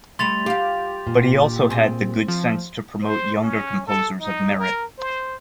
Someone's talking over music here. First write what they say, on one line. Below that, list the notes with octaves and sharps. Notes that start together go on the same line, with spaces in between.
But he also had the good sense to promote younger composers of merit.
G3 A3 C6 A6 F7
F4 G4 F5
A#2
C4 G#4
F3
C5
C#4
A4
D#4
A#4
C5